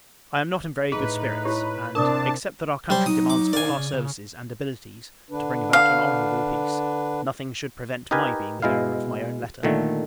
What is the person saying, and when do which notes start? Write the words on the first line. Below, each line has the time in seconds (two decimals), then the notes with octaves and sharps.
I am not in very good spirits; and, except that our country demands all our services and abilities, to bring about an honourable peace, nothing should prevent my being the bearer of my own letter.
0.92 A2 D#4 G#4 B4
1.44 E4 G4 C#5
1.95 C3 C4 D4 A#4 A5 D6 D#6
2.90 F#3 G3 C5
3.06 D#4 D#6
3.30 D6
3.53 A#4 C5 D5 F5 G#5
3.70 C#3
3.93 C#3
5.30 D3 D4 B4
5.73 F5
8.11 D#4 G4 A#4 B4 G#5
8.62 B2 G#3 E4 F5
9.63 A#2 D3 D#3 A3